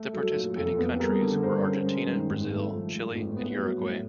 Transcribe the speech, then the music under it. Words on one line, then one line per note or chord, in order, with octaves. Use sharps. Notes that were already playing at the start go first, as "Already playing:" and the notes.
The participating countries were Argentina, Brazil, Chile and Uruguay.
Already playing: A3
F#3 A4
A#2
F2 A4
B3
G3 G#4 A#4
D3
G2 A#4 C5
C#4
G#3
D#3
G#1
A3
F3
G#2
A1
B3
F#3
A2